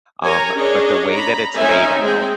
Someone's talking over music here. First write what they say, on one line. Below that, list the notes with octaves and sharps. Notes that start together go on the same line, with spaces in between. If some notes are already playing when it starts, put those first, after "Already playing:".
um, but the way that it's laid out
G4 A#4 C#5 G#5 A#5
C#4 D4 G#4 C#5 D#5
A#5 B5
C4 C#4 D#4 E5 G#5
G#3 C4 G#4 G5